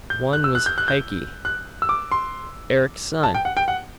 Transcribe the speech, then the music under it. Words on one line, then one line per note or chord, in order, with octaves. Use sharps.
One was Haki, Eric's son.
G6
F#6
E6
F#6
G6
F#6
G6
F#6
E6
D6
C6
A5
G5
F#5
G5
F#5